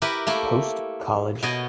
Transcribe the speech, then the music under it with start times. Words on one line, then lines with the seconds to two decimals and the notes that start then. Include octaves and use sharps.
Post College.
0.02 E4 G4 A#4 B4
0.27 A3 A#3 E4
1.43 B2 B3 C#5 D#5